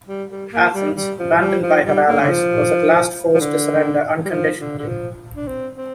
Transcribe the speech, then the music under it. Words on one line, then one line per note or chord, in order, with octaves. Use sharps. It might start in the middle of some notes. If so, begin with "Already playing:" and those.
Athens, abandoned by her allies, was at last forced to surrender unconditionally.
G3
G3
A#3
G3
G3
F3
G3
F3
G3
A#3
D3
F3
F3
D3
G3
F3
D3
D3
F3
D4
C4
C4